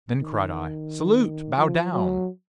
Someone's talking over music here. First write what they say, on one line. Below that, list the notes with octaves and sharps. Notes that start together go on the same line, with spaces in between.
Then cried I, "Salute! Bow down!"
D#3
F3
F#3